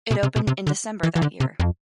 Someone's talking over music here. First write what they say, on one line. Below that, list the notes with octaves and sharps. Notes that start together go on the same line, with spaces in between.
It opened in December that year.
B2
C3
B2
C3
D3
E3
E3
D3
C3
F2